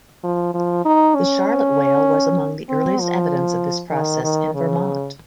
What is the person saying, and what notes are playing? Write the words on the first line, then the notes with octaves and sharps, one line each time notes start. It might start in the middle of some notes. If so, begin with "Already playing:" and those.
The Charlotte whale was among the earliest evidence of this process in Vermont.
F3
F3
D#4
C#4
C4
F3
D#3
D#3
C#3